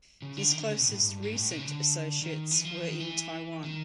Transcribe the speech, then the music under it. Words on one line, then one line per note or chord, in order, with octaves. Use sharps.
His closest recent associates were in Taiwan.
C#3
D3
D#3
D3
C#3
B2
A2
G#2
G2
G#2
A2
C3
C#3
D3
D#3
E3
F3
E3
D#3
E3
D#3